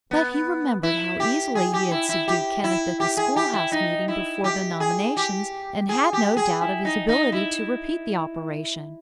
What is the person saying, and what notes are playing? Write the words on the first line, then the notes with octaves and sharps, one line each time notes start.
But he remembered how easily he had subdued Kenneth at the school-house meeting before the nominations, and had no doubt of his ability to repeat the operation.
B3
E4
G4
G#4
G4
E4
E4
G4
E4
G4
G#4
G4
E4
D#4
E4
G4
G#4
G4
G#4
G4
G#4
E4
D#4
D#4
E4